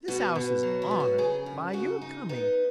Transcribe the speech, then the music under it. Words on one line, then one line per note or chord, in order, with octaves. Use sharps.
"This house is honored by your coming."
B2 F#4
B2
F#3
E4
B2
F#4
C#3 G#4
F#2
C#3 F#4
D#4
B3 D#4